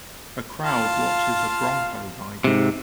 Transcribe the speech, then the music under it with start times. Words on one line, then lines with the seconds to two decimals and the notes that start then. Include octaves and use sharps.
A crowd watches a bronco rider.
0.63 F4 F5 A5
2.44 G#2 C3